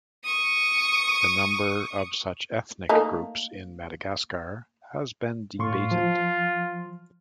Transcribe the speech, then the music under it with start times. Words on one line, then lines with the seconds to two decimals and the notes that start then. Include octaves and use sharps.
The number of such ethnic groups in Madagascar has been debated.
0.24 C#6 D#6
2.89 A3 A#3 D#4
5.59 A2 F4 C6 C#6
5.91 F3